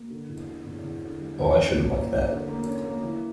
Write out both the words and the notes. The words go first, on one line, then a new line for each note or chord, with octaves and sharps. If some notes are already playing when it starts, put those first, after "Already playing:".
Oh, I shouldn’t like that!
Already playing: A#3
D3
E2
D3
E2
E2
D3
G3
E2
C#4
A#3
A#3
A#3
D3
A#3
C#4
A#3
E3